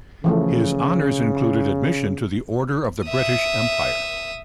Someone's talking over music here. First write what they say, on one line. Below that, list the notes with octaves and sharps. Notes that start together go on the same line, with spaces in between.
His honors included admission to the Order of the British Empire.
C#3 E3 F3 A3
E5 D#6